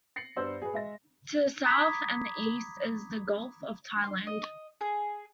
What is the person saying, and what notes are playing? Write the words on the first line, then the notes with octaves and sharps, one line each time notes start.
To the south and the east is the Gulf of Thailand.
A#6 C7 C#7 F#7
G2 B3 C5 E6
G#4 B4
G#3 E5 A#6
A#5 B5 D6 D#6 G#6 B6
C6
D#5
G#4